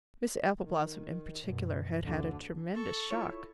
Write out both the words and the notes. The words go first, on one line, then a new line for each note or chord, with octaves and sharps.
Miss Appleblossom in particular had had a tremendous shock.
D#3
F#2 B2
D2 D3
A4 C#6
E4 F4 C#5